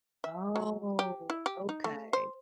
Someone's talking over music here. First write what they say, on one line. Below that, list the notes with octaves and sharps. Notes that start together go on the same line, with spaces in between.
Oh. Okay.
E5
F#3
G4
E4
G4
D#4
A3
C5